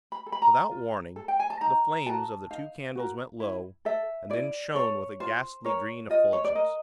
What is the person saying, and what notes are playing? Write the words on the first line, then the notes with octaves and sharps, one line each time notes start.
Without warning, the flames of the two candles went low, and then shone with a ghastly green effulgence.
B5
A4
B5
A#5
F4
A4
G5
G#5
A5
D#4 A#5
F#4 A#4 A5
D#4 F5
F#4 A#4
E4
A4 E5
E4 D5
A4 C#5
F4 C5
A#4 C#5
F4 D#5
C#5
D5
A#4 D#5